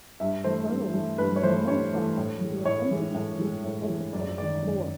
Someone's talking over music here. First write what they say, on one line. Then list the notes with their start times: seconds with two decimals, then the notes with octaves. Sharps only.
Burls can weigh many tons and grow hundreds of feet above the forest floor.
0.20 G2 E5
0.44 E3 A3 C5
0.69 G2
0.94 E3 A3
1.18 G2 B4
1.36 C#5
1.43 E3 A3 C5
1.67 G2 C#5
1.93 E3 A3
2.17 A2
2.41 E3 G#3
2.65 A2 C#5
2.91 E3 G#3
3.15 A2
3.39 E3 G#3
3.64 A2
3.88 E3 G#3
4.13 F#2 D5
4.37 D#3 G#3 D5
4.62 F#2